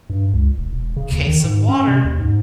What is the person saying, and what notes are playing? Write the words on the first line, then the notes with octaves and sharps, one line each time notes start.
case of water
G2
C#2
E1
E1
C#3
D#2
D#3
G#2
C#4
C3
D#2
G#2